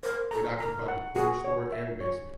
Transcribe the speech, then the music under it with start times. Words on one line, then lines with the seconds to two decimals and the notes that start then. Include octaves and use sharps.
It occupied the corner store and basement.
0.03 A#4 C5
0.31 A4 A#5
0.60 A#4 A#5
0.88 F#5
1.16 F#4 G#4
1.44 C#5
1.72 E5
2.01 C#5